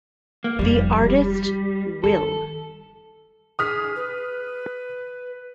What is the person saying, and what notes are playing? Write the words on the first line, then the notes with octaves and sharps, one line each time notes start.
The artist Wilh.
A#3
F1 F3 G3
F4
D#3 A4
G#4 D#6 F6 B6
B4